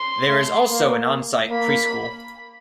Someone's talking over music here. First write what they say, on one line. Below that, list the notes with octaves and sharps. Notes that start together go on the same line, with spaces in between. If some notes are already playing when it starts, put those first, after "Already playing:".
There is also an on-site pre-school.
Already playing: C6
A3
A#3
A#3 B5